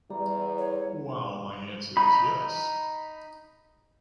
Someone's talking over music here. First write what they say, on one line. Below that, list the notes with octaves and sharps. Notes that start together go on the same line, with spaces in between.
While my answer is yes.
E2 G3 A#5
C#5
D#4 B5